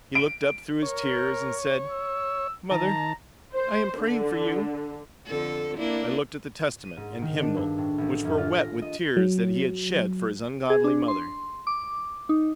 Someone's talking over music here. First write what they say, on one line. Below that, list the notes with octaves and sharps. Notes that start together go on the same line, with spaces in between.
He looked up through his tears and said, "Mother, I am praying for you." I looked at the Testament and hymnal which were wet with tears that he had shed for his ungodly mother.
D7
A#4 C#5
E6
D#3 A5 A#5
C5
D3
F2 D3 A4
A#3 D4 E4
D#7
G#2
D#3
D4
G2
A2
A1
F#2
F4
A#6
D#5
F#3
G#4
D4
C6
D6
D#4